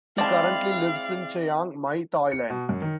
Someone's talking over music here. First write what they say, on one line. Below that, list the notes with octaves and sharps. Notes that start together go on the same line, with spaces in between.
He currently lives in Chiang Mai, Thailand.
G#3 C4 E4 D5 F5 A5
C#7
B2
F#2
D#3